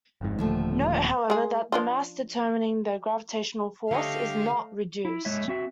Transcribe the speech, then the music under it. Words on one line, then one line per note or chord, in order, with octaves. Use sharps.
Note, however, that the mass determining the gravitational force is "not" reduced.
G1 F2 G#2
D#1 D#2 D3 F3 A3
G#3 G#4
F3 D4 F4
D3 A3 G4 C#5 D#5 F5
E4
G#3 C#5 E5
C4 F#4 E5